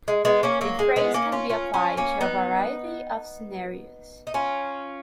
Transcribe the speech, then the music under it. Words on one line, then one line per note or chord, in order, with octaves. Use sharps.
The phrase can be applied to a variety of scenarios.
G#3
G#3 B3
A#3 C#4
F#3 A#3
G#3
G#3 B3
A#3 C#4
C#4 F4
C#4 F4
C#4 F4
A#3 C#4
B3 D#4
D#4
C#4 F4